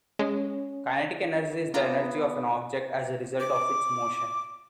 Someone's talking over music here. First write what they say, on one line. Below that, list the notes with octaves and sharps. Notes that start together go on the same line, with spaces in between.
Kinetic energy is the energy of an object as a result of its motion.
G#3 C#4
B3 D4 F4 A#5
D6